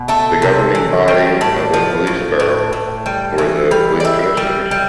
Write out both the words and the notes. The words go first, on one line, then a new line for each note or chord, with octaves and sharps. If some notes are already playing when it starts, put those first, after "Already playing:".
The governing body of a police burgh were the police commissioners.
Already playing: B2
A3 A4
C3
E3
G3
A2 D5
F3
A2
A2
A2
G3
E3
G3
D5
G3 E5
G3
G3